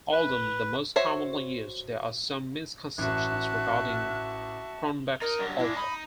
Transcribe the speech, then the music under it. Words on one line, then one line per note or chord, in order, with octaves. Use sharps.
Although the most commonly used, there are some misconceptions regarding Cronbach's alpha.
B4
F#4 C5 C#5 E5
A1 F#4 E5 A5 F#6
D#4 A#4
G2 F#3
G#3 D4 E4
D#4 B5